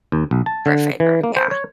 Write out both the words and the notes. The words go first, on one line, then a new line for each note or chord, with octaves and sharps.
For a favor, yeah.
D#2
B1
A5
D3
E3
A#3
C5
C#5